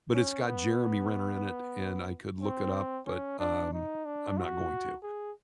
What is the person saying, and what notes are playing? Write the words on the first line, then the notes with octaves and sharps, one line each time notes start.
but it's got Jeremy Renner in it, and I could look it up, but, um, I'm not going to.
C#4
B3
C4
C#4
D4
D#4
D4
F#4
G#4